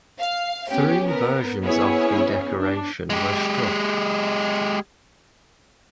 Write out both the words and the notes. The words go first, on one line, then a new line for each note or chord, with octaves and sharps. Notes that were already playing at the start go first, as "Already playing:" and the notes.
Three versions of the decoration were struck.
F5
B3 C#4 G4
B3 A#4
B3 C#4 E4 G#4 C#5
D4
G#3 G4